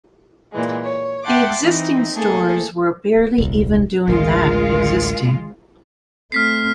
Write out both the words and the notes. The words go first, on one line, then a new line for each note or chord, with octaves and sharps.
The existing stores were barely even doing that -- existing.
A#2 E3 G#3
C#5
E5 F#5 G5 A5 C6 D6
E3 C4 D#4
A3 A#3 G#4 A4
D#1 C2
A1 D2 G#3 F4 A#4
A3 C4 F6 B6 C7